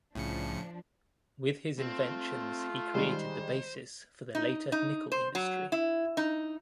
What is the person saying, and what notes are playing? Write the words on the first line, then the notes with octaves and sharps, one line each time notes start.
With his inventions he created the basis for the later nickel industry.
C2 A2 C#3 F3 D4 C#7
A3 C4 F4
D#3 G3 G#3 C5
D#4
D#4
C5
F#3
E4
D#4